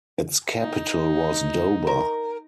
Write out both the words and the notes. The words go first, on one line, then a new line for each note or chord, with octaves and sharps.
Its capital was Doba.
D#4
A#4